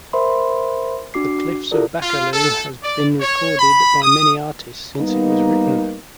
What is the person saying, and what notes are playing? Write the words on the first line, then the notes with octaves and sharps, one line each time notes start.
"The Cliffs of Baccalieu" has been recorded by many artists since it was written.
A#4 C5 E5 B5 C6
D4 F#4 D6 C7
E4 F4 G4 A4 A#4 D5
F4
A4
D5
C#5
B5
D#6
G3 A#3 B3 D#4